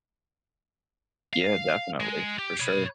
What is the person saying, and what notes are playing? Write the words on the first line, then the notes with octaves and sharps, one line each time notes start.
Yeah, definitely, for sure.
F5
G#3
G4
C#5 B5